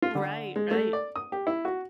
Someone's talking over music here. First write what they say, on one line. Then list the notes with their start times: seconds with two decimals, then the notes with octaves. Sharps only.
Right, right.
0.02 F4
0.15 D3
0.56 G#3
0.71 A3
0.93 D5
1.16 D#6
1.32 G4
1.47 E4
1.65 F#4